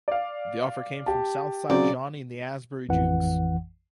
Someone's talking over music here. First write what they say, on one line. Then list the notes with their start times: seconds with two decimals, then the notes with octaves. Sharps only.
The offer came from Southside Johnny and the Asbury Jukes.
0.08 D5 F5
1.06 G4 A5
1.70 C#3 F#3 C4 D5
2.89 A1 F2 E3 F#5